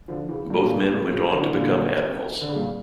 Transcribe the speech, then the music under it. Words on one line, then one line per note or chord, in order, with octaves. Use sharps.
Both men went on to become admirals.
D3 F3
C#3 E3
G2 A#2
A#2
A2 C#3
A2 C#3
A2 C#3
D3
E3
A#2 D3
D3
C#3
G2 A#2